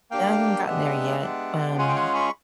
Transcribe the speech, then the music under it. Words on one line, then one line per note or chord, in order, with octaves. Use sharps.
Haven't gotten there yet, um,
A#3 D4 G4 F5 G5
G#3 B3 D4 G4 E5 F#5
G#3 B3 D4 G4
G#3 C#4 F4 G#4 F#5 G#5
G5
F#5 G#5
B5 C#6